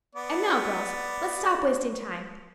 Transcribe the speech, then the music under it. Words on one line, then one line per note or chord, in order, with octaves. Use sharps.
And now, girls, let's stop wasting time.
B3 D5